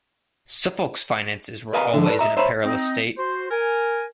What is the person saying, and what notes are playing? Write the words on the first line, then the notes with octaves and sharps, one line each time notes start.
Suffolk's finances were always in a perilous state.
A#4 B4 D#5 F5 G#5 A#5
D3 E3 F3
A4 B4 C#5 D5 A5
D#5 E5 A#5
C5 C#5 E5 A#5 B5
C4 D#4
F#4 C5
A#4 G#5